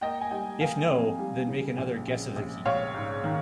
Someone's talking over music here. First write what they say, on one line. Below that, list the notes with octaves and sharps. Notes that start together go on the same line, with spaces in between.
If no, then make another guess of the key.
A#3 D#5 G5
G#5
G3 D#5 G5
A#3 F5 G#5
F2
G3
C#3
A#1
A#1
A#1
A#1 C#5 F5
G#2
D#3